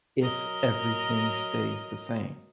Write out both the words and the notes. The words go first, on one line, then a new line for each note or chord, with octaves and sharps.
if everything stays the same.
F#3 A#4 D#5